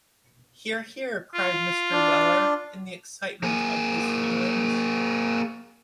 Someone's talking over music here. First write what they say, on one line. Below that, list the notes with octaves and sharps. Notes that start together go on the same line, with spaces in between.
Hear, hear!’ cried Mr. Weller, in the excitement of his feelings.
F4
D4
A#3 G#4